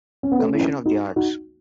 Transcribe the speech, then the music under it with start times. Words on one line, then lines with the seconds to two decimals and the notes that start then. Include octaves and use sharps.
Commission on the Arts.
0.23 C#4
0.31 B3
0.39 A3 C#4
0.54 C#4 E4
0.85 D#4 F#4
1.16 D#4 F#4